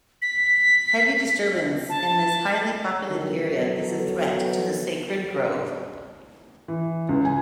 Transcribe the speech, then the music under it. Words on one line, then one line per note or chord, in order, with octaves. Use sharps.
Heavy disturbance in this highly populated area is a threat to the sacred grove.
B6
A5
D3 D#3
F#3 B3 A4
E3
C#2
G#5